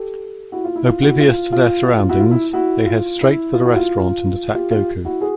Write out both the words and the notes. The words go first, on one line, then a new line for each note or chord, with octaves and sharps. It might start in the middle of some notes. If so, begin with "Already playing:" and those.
Oblivious to their surroundings, they head straight for the restaurant and attack Goku.
Already playing: G4 A4
E4 F#4
F4
E4
F4
E4 F#4
F4
F4
F4
F4
E4 F#4
F4
E4
E4 F#4
F4
E4
F4
E4 F#4
F4
F4 G4
F4 G4
E4 F#4
F#4 G#4